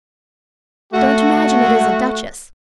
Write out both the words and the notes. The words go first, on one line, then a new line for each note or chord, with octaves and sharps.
Don't imagine it is a duchess.
A3 F#4